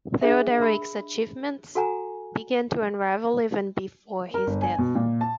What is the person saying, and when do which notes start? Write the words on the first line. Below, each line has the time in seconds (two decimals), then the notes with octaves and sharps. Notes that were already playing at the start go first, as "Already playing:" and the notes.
Theoderic's achievements began to unravel even before his death.
0.21 D4 G#4 E5
0.61 A#4 B5
1.75 F#4 A4 F#5 G#5 A#5
4.34 A#4
4.47 G1
4.62 G#5
4.78 B2
4.95 A#2
5.21 A5